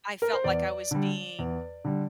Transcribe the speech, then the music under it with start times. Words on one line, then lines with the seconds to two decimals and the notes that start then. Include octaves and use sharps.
I felt like I was being,
0.22 A#4
0.33 C5
0.44 E2 D5
0.91 D3 G3
1.39 E2
1.85 D3 G3